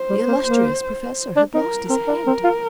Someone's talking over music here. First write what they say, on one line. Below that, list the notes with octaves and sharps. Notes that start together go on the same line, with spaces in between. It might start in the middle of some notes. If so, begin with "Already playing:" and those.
The illustrious professor had lost his head.
Already playing: C5
G3
A#3
A#3
D4
D#4 A#4
C4 A#4
D4
C4
F4